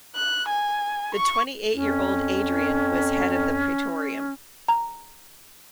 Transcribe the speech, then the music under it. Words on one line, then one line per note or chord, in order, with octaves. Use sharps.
The twenty-eight-year-old Adrian was head of the praetorium.
F#6
G#5
C#6
F2 C#4
A#5